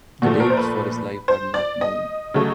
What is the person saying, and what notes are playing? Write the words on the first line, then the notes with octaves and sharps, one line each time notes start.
The dates for his life are not known.
A#2 F3 A3 F#4
A#4
C5
B4
C5
D5
D#5
C#3 F#3 A3